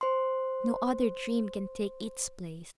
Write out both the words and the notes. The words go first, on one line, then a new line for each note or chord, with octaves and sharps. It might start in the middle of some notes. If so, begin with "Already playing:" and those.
No other dream can take its place.
C5 C6